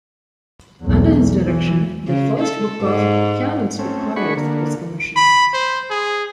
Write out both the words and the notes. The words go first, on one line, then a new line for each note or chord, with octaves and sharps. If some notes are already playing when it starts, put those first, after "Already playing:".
Under his direction, the first book of "Carols for Choirs" was commissioned.
B1 E2
E3
C#3
A4
G#2
A3 C4 C#4
D4 F#4 G#4 B5 C#6
D3 A#3
B5
C5
G#4